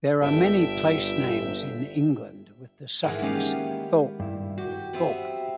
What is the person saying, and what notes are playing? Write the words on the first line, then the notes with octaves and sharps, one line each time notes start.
There are many place names in England with the suffix "-thorp" or "-thorpe".
G1 A4 E5 G5
G#2 D#3 E3 F#5
G#3 A#3 B3 C#4 G4 F5
G2 E4
F#4 G4
B3 C4 E5